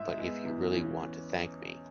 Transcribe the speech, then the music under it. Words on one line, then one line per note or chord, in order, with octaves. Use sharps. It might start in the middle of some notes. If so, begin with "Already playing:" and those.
But if you really want to thank me.
Already playing: G#2 E5
G#3 B3
E2
E3 C#4